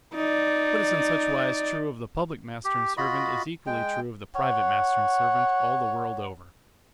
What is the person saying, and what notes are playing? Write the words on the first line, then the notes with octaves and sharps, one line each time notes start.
What is in such wise true of the public master and servant, is equally true of the private master and servant all the world over.
D#4 D5
G4
F4 F#4 D#5 B5
G#3 G5
C#5 F#5